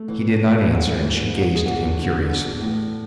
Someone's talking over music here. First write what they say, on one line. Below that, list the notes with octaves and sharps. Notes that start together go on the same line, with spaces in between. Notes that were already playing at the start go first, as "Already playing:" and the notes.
He did not answer, and she gazed at him curiously.
Already playing: A3
E3
A2
G#2
E3
G#2
G#4
E2 F#4
D3
E2
A2